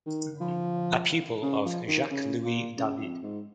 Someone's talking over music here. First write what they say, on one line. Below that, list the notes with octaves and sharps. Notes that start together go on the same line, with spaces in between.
A pupil of Jacques Louis David.
D#3
F3
C#3
F3
D#3
C#3
A#2
C#3
F2
G#2